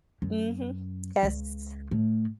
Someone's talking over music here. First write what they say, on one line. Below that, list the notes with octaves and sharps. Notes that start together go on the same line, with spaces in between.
Mhm. Yes.
F#2
C#2
A2